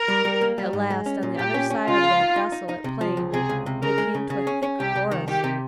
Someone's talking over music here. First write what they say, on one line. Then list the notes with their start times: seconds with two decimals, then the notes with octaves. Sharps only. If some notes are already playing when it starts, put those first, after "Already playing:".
At last, on the other side of that desolate plain, they came to a thick forest.
Already playing: A#4
0.08 G3
0.25 G3
0.41 A#3
0.58 G3
0.73 G#2
0.90 G#3
1.06 C#4
1.23 A#2
1.38 A#2 G4
1.54 C#4
1.70 C#4
1.88 C#3 F4
2.04 C#2
2.20 D#4
2.36 D#4
2.52 D#4
2.69 D#4
2.84 C3
3.01 F3
3.17 C#2
3.33 C3 G#4
3.49 C#2
3.66 C3
3.83 C#3 A#4
3.98 G#3
4.14 C#3
4.30 C#3 G#4
4.47 C#4
4.63 C#4
4.79 C2 G4
4.95 C2
5.11 D#3
5.28 D#3 G4
5.44 C3